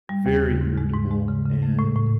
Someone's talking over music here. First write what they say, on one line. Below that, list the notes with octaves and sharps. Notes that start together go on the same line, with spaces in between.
very irritable, and,
G3
D#2
C#3
G#2
G#3
G#2
G#3
C#3
C#3
A3
A2
A2